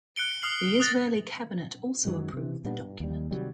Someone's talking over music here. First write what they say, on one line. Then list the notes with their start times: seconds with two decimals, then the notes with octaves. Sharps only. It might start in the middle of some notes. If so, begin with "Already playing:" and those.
The Israeli Cabinet also approved the document.
0.16 F#6 C#7 D7 G7
0.42 D#6 F6 C7 F#7
0.80 D#6 F#6 A6 A#6
2.05 F#2 D#3 F#3 G#3
2.34 C3 E3
2.64 A#2 G3 B3 D4
2.79 G2
3.00 D#2 G3
3.31 C3 D#3 F#3 G3